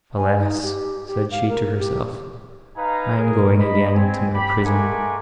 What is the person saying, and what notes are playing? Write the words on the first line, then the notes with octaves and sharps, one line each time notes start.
'Alas!' said she to herself, 'I am going again into my prison!'
G#5
D#4
G4
G4
F5
A#4
G4
D#4 B4 F5 G#5 A#5
G#4 A#4
D#5 B5
C4 G#5
G4 B5
G#3 A3 A#4 F#5 G#5 D6